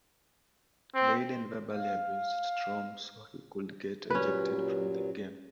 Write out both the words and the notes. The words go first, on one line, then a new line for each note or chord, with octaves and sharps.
Layden verbally abused Strom so he could get ejected from the game.
C4
F5
G2 A#2 F#3 C#4 B4